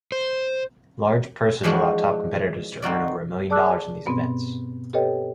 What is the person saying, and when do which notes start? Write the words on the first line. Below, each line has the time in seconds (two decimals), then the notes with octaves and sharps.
Large purses allow top competitors to earn over a million dollars in these events.
0.12 C5
1.63 E3 F3 G#3 D4 F#4
2.82 C4 D#4 F#4 D5
3.50 G#4 D5 A5 D6 E6 F#6
4.06 G2 B2 B3 C4
4.93 G4 A4 B4 C#5 D#5 G5